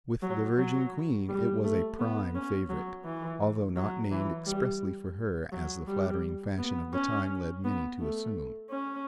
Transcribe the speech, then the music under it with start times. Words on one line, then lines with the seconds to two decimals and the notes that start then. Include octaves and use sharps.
With the Virgin Queen it was a prime favorite, although not named expressly for her as the flattering fashion of the time led many to assume.
0.23 F#3
0.58 F#3
1.29 G3
1.64 A3
1.99 B3
2.35 C#4
2.70 F#3
3.05 E3
3.76 F#3
4.11 E3
4.46 G3
5.52 F#3
5.88 G3
6.58 B3
6.94 C#4
7.64 B3
8.00 A3
8.70 C#4